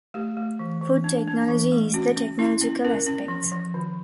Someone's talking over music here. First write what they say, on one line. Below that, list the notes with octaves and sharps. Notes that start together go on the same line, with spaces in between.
Food technology is the technological aspects.
A3 G4
A3
E3
E3
D4
D4
E3
A3
C#4 F#4
C#4
C#4 E4
C#4
C#4 A#4
C#4
F3
F3
D#3